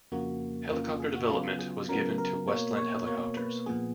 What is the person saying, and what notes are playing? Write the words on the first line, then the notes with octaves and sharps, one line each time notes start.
Helicopter development was given to Westland Helicopters.
F2 C#3 F3 A#3 F#4
F2 C#3 F3 A#3 F4
F4
G#4
F#4
C#3 F#3 B3 F4
G#4
C#3 F#3 B3 A#4
A#4
B2 A#3 C#5
C#5
B2 A#3 C#5
B4
A#2 F3 B3 G#4